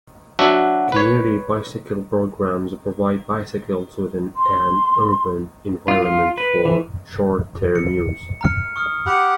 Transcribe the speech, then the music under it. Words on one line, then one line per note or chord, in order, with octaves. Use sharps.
Community bicycle programs provide bicycles within an urban environment for short term use.
F#3 D4 F#4 E5
B4 C#5
C6
F4
F4
B4
E3
C#7
A#5 F6 C#7
C#6 D#6 F6
G4 F#5 B5 C#7